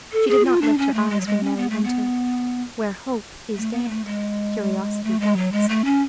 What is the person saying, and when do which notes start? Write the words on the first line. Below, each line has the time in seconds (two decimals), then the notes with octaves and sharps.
She did not lift her eyes when Mary entered: where hope is dead, curiosity dies.
0.12 A4
0.28 G#4
0.45 F4
0.62 D4
0.78 C#4
0.94 A3
1.10 G#3
1.20 F#3
1.26 G#3
1.43 C#4
1.57 B3
1.70 A3
1.84 B3
3.57 A3
3.73 B3
3.84 B3
3.88 A3
4.05 G#3
5.04 A3
5.20 G#3
5.37 F#3
5.52 G#3
5.69 A3
5.85 C#4